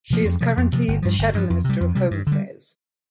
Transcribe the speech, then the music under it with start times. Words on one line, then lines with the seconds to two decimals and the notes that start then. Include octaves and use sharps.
She is currently the Shadow Minister of Home Affairs.
0.10 C3 F3 A#3
0.25 F2
0.41 C3 F3
0.57 F2
0.73 C3 F3
0.88 G1
1.02 G2 F3
1.19 G1
1.34 G2 F3
1.50 F2
1.64 C3 G3
1.81 F2
1.95 C3 G3
2.11 G2
2.27 D3 G3